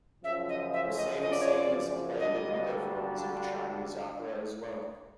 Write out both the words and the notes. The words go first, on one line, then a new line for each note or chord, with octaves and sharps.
The same scene is played in other forms of Chinese opera as well.
F#2 C#3 F3 E5
D#5
E5
D#5
D#5
D5
C#5
D5
D3 G3 A#3 D4 F#4 D#5